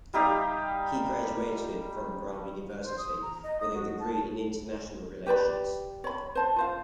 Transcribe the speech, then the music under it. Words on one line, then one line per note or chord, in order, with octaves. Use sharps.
He graduated from Brown University with a degree in International Relations.
G3 D#4 G4 F5
C5
D#6
A#5
D#5
D#6
F#4
A5
G4 B4 D5 B5
C#5 B5
C5 A5
F4 C5 F5